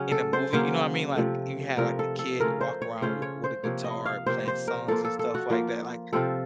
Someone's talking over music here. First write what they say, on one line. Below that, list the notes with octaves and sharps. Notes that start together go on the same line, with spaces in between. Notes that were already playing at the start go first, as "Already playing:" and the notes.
in a movie. You know what I mean? Like, you had, like, a kid walk around with a guitar playing songs and stuff like that. Like,
Already playing: C#3 F#3 C#4
A4
C5
C#3 F#3 A#3 C#4 C5
C3 F3 A3
C3 F3 A3 A#4
A4
A4
C#3 A3 C#4 F4 A#4
C5
C#5
C#3 A3 C#4 F4 C5
C#5
C5
C3 F3 A#3 C#5
D#5
F5
C3 F3 A#3 C5
C5
A#4
F3 A#3 F4 A4
A4
A4
F#4
F3 A#3 F4
C3 F3 C4 F4 A4